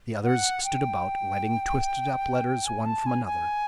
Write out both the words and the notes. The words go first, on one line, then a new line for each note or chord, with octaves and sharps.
The others stood about, lighting twisted up letters one from another.
F#5
G5
G#5
A5
G#5
G#5